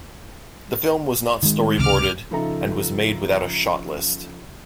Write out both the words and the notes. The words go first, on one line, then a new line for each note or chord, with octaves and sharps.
The film was not storyboarded and was made without a shot list.
D#3 G#3
C#2 C3 D6 F6
C#3 F3 D#4 A4 E5 A#5